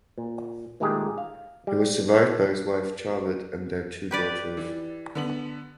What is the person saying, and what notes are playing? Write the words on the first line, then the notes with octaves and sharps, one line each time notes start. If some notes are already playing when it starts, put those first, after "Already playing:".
He was survived by his wife Charlotte and their two daughters.
A#2
A#2 D#3 G#3 A3 G4 G#4
F5
G3
G4 B4 D5
E3
D3 B3 F#7